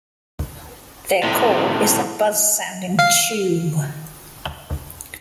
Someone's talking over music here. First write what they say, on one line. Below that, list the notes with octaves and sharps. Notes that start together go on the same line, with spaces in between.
Their call is a buzz-sounding "chew".
A2 C3
F5 C7